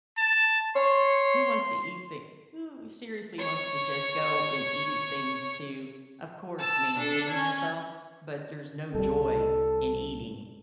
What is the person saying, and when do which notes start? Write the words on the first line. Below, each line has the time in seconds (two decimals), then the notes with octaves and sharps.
Who wants to eat thi who seriously wants to just go and eat things to, of course, maintain yourself, but there's no joy in eating.
0.18 A5
0.76 C#5 C6
3.38 C#5 C#6
6.60 A5 E6
6.98 D4 A4
7.30 C#4 G#6
8.95 C2 G3 A4